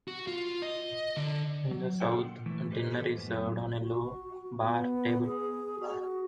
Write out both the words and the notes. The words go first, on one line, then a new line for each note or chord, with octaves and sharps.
In the south, dinner is served on a low, bare table.
F#4
F4
D#5
D3
F#3
D4 F4 A4 A#4 F#5 G5
A#2
E3 A3 E4
G4 A4 B4 C5 D#5
F#2 A2 B3
F#4
B3
G#4
F#4